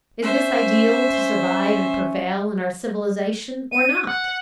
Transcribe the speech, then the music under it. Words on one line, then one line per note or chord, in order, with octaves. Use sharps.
Is this ideal to survive and prevail in our civilization or not?
C#4 C5 E5
D#7
F#5